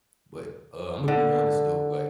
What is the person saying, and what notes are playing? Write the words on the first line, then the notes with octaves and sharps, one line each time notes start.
But, uh, I'm gonna be honest though, like,
D3